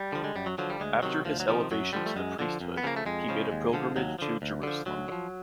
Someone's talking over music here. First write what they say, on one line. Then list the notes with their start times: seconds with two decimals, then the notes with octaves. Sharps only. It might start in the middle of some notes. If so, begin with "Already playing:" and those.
After his elevation to the priesthood, he made a pilgrimage to Jerusalem.
Already playing: G3
0.12 D3 F3
0.24 G#3
0.35 F#2 G3
0.46 F#3
0.58 D3 F3 F#3
0.70 G3
0.80 D2 G#3
1.03 C3 D#3 F#3
1.25 D2 F3
1.40 F#3
1.48 C3 D#3 F3
1.71 F#2 F#3
1.93 D3 F3 G3
2.06 A3
2.16 F#2 G#3
2.39 D3 F3
2.60 F2
2.77 B3
2.84 C#3 F3 A#3
2.97 A3
3.05 F2 G#3
3.29 C#3 F3
3.52 D#2
3.73 D3 F3
3.96 D#2 F#3
4.19 D3 F3
4.42 D2
4.63 D3 F3
4.86 D2 F#3
5.08 D3
5.12 F3